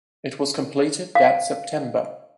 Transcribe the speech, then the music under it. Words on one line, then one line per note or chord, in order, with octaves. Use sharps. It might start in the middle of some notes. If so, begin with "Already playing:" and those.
It was completed that September.
F5